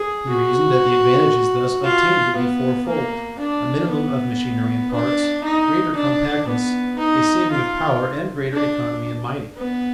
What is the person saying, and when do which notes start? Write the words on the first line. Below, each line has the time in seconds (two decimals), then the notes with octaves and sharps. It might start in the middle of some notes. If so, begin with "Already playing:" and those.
He reasoned that the advantages thus obtained would be fourfold: a minimum of machinery and parts; greater compactness; a saving of power; and greater economy in mining.
Already playing: G#4
0.29 F#4
1.84 F4
2.36 B3
2.87 A#3
3.39 D4
3.90 B3
4.93 D4
5.44 D#4
5.96 D4
6.47 B3
6.98 D#4
7.51 F4
8.53 D4
9.57 B3